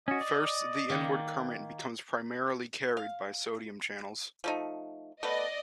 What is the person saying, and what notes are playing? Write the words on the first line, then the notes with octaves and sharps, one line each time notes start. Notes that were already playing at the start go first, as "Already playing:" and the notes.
First, the inward current becomes primarily carried by sodium channels.
C#4 F#4 D#5
D5
D#3 A#3
F5
F3 A3 D#4
A3 B3 B4 D5 D#5